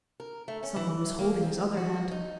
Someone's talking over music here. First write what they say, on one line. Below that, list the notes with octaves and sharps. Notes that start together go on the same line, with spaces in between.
Someone was holding his other hand.
A#4
A3
C#4
E3
A#3
F3
F#4
D#4